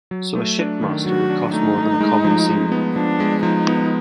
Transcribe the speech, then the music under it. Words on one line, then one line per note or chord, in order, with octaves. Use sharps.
So a ship master would cost more than a common seaman.
F#3
A3
D4
D#3
F#3 F#4
D4
A3 D#4
A3
G#3
F3
G#3
B3
F3 D4
G#3
F3 D#4
B3